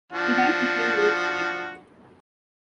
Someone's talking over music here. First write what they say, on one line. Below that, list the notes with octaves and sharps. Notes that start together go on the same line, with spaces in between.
He died fifteen minutes later.
F3 D4 F#4